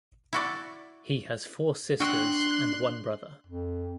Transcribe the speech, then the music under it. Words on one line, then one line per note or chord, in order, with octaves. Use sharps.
He has four sisters and one brother.
E4 F#4 D5
D4 F#4 G5 C6 F#6
F2